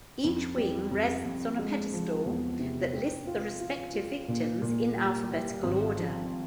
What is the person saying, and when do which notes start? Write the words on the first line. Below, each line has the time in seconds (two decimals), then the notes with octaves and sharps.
Each wing rests on a pedestal that lists the respective victims in alphabetical order.
0.24 F2
0.57 G3
0.91 F2
1.25 F2
1.59 G#3
1.93 F3
2.26 E2
2.59 C3
2.93 C4
3.27 F4
3.60 F4
3.94 F4
4.28 A#2
4.62 A#2
4.96 G3
5.29 G3
5.63 G#1
5.96 F3